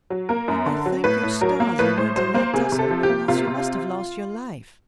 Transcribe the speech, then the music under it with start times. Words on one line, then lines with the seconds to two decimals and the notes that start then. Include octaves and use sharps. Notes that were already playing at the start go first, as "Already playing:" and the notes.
'You may thank your stars you weren't in that tussle, else you must have lost your life.'
0.10 F#3
0.29 A#3 A#4
0.48 F#2
0.66 D3
0.86 F#3
1.04 A2 B4
1.23 A2
1.41 F#3 A#4
1.60 A#3
1.79 A2 B4
1.98 A2 C5
2.16 F#3 C5
2.34 A#3 C5
2.54 C3 G#4
2.72 C3
2.79 A4
2.91 F3
3.03 G4
3.09 A#3
3.28 C3 F4
3.47 C3